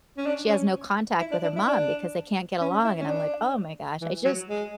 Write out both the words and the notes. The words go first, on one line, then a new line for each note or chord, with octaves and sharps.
she has no contact with her mom because they can't get along, and I'm like, "Oh my gosh," I just
C#4
D4
C#4
E4
D4
D4
E4
D4
C#4
E4
C#4
D4
E3
F#3
G#3